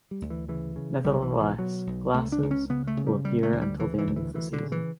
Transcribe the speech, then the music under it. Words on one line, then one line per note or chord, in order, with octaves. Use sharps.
Nevertheless, glasses will appear until the end of the season.
G3
D2
E3
C#3 E3
C#3
B1 G3
E3
B2
E3
B2 F#3
B1
C#2 A3
D4
C#2
C#4
C#3 B3
A3
C#3
G3
D2 G3
A3
D2 F#3
G3
C#3 E3
E3
D2
E3
D2 E3
D3
C#3
E3